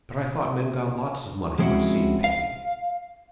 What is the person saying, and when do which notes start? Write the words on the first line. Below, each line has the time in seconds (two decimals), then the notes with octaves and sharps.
"But I thought men got lots of money by scene-painting?"
1.59 F3 G#3 C4 C#4 E4 F#4
2.24 F5